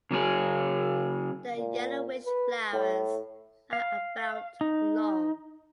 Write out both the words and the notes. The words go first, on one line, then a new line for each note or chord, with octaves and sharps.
The yellowish flowers are about long.
C#3 F#3 C#4 G#4
A#2
B4
A2
F5
D#4